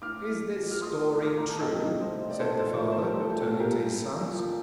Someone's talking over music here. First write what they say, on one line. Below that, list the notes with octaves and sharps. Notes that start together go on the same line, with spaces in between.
'Is this story true?' said the father, turning to his sons.
A2 D6 F6
A2
F3
F6
A#3 C6 D#6
A2
D6 F6
A2 A#5
A5
F2 D#5 G5
A3
C5 D#5
C3
D5
D#3 A4 C5
F2
A#4
A3 C5
G4 A#4
A#2 A4
G4
A4
A#2
G4 A#4
G3
A#3
A#2